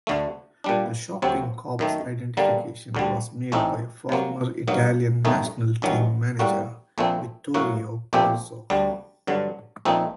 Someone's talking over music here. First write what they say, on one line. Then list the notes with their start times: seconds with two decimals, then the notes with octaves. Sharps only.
The shocking corpse identification was made by former Italian National Team manager Vittorio Pozzo.
0.07 D2 D3 A3
0.64 A#2 G3 D4
1.22 D2 C3 F#3 C4
1.79 F#2 D#3 A3
2.37 G2 D3 G3 A#3
2.95 D2 D3 G3
3.52 A1 A2 A3 C4 D#4
4.09 C3 F#3 A#3
4.68 G2 F#3 A#3 D#4
5.25 G1 F#2 D#3 A3 D#4
5.82 A1 G2 D#3 F#3
6.39 A2 G3 A#3 F#4
6.98 A#1 A#2 A3 C4
7.54 A2 F#3 A#3 F#4
8.13 A#1 A#2 A3 C4 G4
8.70 D2 D3 G3
9.27 G2 D3 F#3
9.85 A#1 A#2 A3 C4 D#4